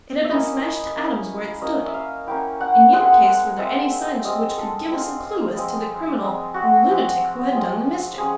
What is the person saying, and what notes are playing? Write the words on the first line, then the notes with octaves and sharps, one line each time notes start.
It had been smashed to atoms where it stood. In neither case were there any signs which could give us a clue as to the criminal or lunatic who had done the mischief.
E5
A#3 C#4 E4 D#5
A#3 C#4 E4
A#3 C#4 E4 D#5
E5
F5
A#3 C#4 E4 G5
F#5
G#3 C4 F4 F#5
G#3 C4 F4 E5
G#3 C4 F4 D#5
A4
G#3 C4 F4
F3 G#3 C4
F3 G#3 C4
F#4
F3 G#3 C4
F3 G#3 C4
F3 G#3 C#4 G#4